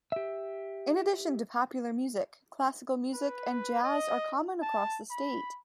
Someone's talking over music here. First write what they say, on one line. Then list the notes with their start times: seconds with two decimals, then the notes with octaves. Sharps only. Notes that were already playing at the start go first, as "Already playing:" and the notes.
In addition to popular music, classical music and jazz are common across the state.
0.12 G4 E5
3.14 B4
3.83 D#5
4.62 A5
5.10 B5